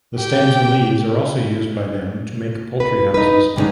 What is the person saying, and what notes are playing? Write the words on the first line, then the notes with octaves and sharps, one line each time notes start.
The stems and leaves are also used by them to make poultry houses.
G4 G5
B4
D#4 B4
G2 D3 G3 G#3 C#4 D#4